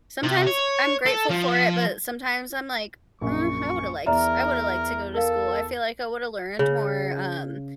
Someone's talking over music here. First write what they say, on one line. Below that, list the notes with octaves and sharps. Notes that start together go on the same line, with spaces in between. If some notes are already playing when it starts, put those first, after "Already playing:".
sometimes I'm grateful for it, but sometimes I'm, like, "Uh, I woulda liked I woulda liked to go to school." I feel like I woulda learned more, um,
C3
C#5
A4
F3
A#1 F#2 C#6
E2 A#4 D5 E5 A#5 F6
A4 A#4 F5
C#3